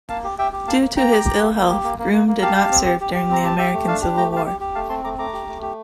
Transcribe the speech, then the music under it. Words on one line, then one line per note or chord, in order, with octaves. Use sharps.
Due to his ill health, Groome did not serve during the American Civil War.
A#3 F5 A5
G4
G4 E5 G5
G4
A#3 F5 A5
A#3
A#3 G5 A#5
G4
G4
A#3
A#3
G4
A#3
A#3
A#3
A#3
G4 F5 A5
G4
C4
G4
G4
G4
C4 A#5
G4 A5
G4 E5 G5
A3
D4 F5 A5
G4
A3 G5 A#5
G4 F5 A5
G4
G4
A3 F5 A5
C4 A5 C6
A3 A#5 D6
A3 A#5 D6
G4
A3
G4